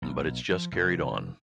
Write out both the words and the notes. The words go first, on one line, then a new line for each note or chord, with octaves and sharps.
But it's just carried on.
B1
F3
F1